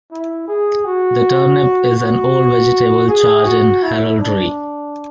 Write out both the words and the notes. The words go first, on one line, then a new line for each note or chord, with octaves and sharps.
The turnip is an old vegetable charge in heraldry.
E4
G#4
F#4
F#4
G#4
F#4
E4
D4